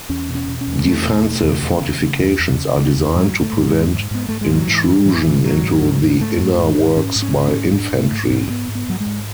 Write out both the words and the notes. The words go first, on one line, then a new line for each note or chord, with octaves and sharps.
Defensive fortifications are designed to prevent intrusion into the inner works by infantry.
E2 C#4
B2
C#4
B2
C#4
E2
E2 A3
B2
B2
E2
E2
C#3
C#3
E2
E2
C#3
C#3
E2
G#2 F#3
G#2
A3
G#2
G#3
G#2
G#2
G#2 B3
G#2 A3
G#3
G#2
F#3
G#2 E3
G#2
G#2 E3
G#2
G#2 F#3
G#2
G#2
G#2
G#2 A3
G#2
G#2
G#2
G#2 C#4
G#2
C#4
G#2
C#4
G#2
G#2 D4
G#2
A3
G#2
C#4
G#2
C#4
G#2 B3
G#2
B3
G#2 F#3
G#3
G#2